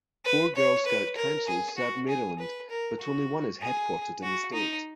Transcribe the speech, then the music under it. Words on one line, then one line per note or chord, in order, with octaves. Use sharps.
Four Girl Scout Councils serve Maryland but only one is headquartered in the state.
B4
C#5
B4
A#4
G#4
F#4
G#4
B4
A#4
F#4
G#4
F#4
D#4